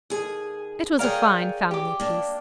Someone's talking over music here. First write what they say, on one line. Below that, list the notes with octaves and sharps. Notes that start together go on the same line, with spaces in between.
It was a fine family-piece.
D#2 G#4
G#4 A#4 C#5 D5 F5 G5
G4 D6
A#3 D4